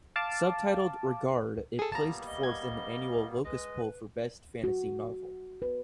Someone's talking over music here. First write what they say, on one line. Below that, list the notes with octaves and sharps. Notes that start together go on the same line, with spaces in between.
Subtitled "Regard", it placed fourth in the annual Locus Poll for best fantasy novel.
F5 A5 D6
G#4 A4
G3 A#3 B3 F4 A5 A#5
D#5
G#6
G#3 B4 D#5
F#4
B4